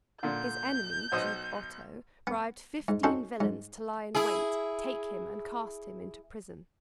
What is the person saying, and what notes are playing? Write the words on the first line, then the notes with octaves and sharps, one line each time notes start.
His enemy, Duke Otto, bribed fifteen villains to lie in wait, take him and cast him into prison.
A#2 D3 G6
B1 C5 D#5
B3
G#2
C4 C#4 D#4 F#4 A4 C5
G#2
E4 G#4